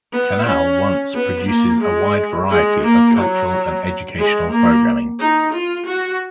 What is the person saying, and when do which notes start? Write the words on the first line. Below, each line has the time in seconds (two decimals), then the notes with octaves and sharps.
Canal Once produces a wide variety of cultural and educational programming.
0.13 B3
0.47 C#4
1.14 B3
1.48 A#3
1.81 G#3
2.50 G#3
2.84 A#3
3.17 F#3
4.19 G#3
4.51 A#3
5.19 D#4
5.54 F4
5.86 F#4